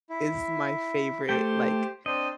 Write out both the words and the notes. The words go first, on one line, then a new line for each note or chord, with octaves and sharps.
is my favorite, like,
E4
A3 G4 A4 C5 G5
C4 D4 C5 D#5